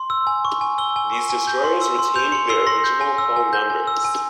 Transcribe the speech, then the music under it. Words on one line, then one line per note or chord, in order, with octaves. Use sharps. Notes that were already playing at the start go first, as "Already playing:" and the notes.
These destroyers retained their original hull numbers.
Already playing: C6
E6
G#5
C#6
G#5
E6 G7
G#5
C#6
G#5
G6
C6
E6
C6
G6 F7
C6 C#7
E6 C7
C6 A#6
G6
G#5
E6
G#5
G6
G#5
E6
G#5